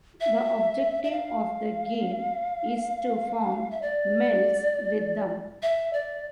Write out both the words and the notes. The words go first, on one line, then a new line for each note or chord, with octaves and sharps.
The objective of the game is to form melds with them.
E5
E5
F5
E5
D5
E5
D5